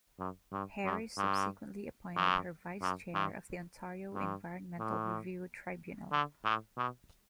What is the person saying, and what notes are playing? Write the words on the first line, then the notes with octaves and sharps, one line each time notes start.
Harris subsequently appointed her Vice Chair of the Ontario Environmental Review Tribunal.
F#2
G2
F#2
G2
F#2
F#2
G2
G2
A2
D3
A2
B2